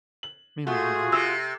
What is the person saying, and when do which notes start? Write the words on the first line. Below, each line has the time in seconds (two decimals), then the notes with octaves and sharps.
mainly humor.
0.23 F#7
0.67 A3 F4 F#4 G#4
1.12 C3 E6